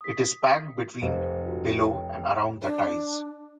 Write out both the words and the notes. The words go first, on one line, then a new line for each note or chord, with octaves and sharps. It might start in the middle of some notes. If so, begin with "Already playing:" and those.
It is packed between, below, and around the ties.
D#6 B6
F1 C5 D#5 F5
F4 F#4
C#5 G5
D4